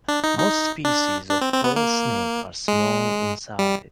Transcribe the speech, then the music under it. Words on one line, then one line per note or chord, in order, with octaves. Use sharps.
Most species of coral snake are small in size.
D4
D#4
D#4
D4
D4
C4
C4
B3
A#3
G#3
G3